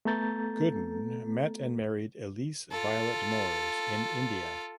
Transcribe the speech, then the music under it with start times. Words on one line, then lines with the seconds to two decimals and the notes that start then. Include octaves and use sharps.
Gooden met and married Elise Violet Moores in India.
0.05 A3 B3 A4 A#5 G6 A6
2.72 F4 A4